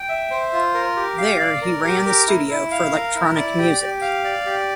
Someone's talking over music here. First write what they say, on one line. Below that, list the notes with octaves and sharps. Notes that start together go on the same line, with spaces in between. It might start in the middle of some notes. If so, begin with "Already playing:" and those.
There he ran the studio for electronic music.
Already playing: G5
E5
C5
F4
A#4
G4
F5
D5
A#4
G4
A#4
E4
E4
F5
A#4
E4
D5
G4
G4
F5
D5
G4